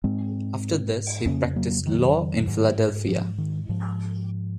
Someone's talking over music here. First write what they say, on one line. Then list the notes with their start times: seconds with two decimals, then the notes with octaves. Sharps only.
After this he practiced law in Philadelphia.
0.04 G#2 G#3 C4
1.26 F2 C#3 A#3 C#4
1.56 F#3 A#3
1.86 D#3 F#3
2.47 G#2
3.08 F3
3.38 D#3
3.69 G#2 F3